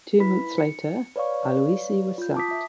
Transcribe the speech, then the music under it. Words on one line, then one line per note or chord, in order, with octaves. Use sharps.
Two months later Aloisi was sacked.
E4 B4 B5 B6
C#7
B4 C#5 D5 F5 C#6
F4 G6
A5 D6 D#6 B6
E5